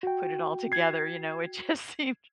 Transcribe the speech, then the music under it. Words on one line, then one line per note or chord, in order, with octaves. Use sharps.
put it all together, you know, it just seemed
F#4 G5
G#6 C7